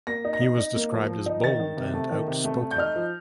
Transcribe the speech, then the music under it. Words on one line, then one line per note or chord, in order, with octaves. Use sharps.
He was described as bold and outspoken.
A#3 A#6
D#4
A#6
D#4
D#4
A#3
F3
F3
D#4
D#3 A6
D#3
C3
A3
D#3
C3
A3
A3
G6
D#4 F6
F3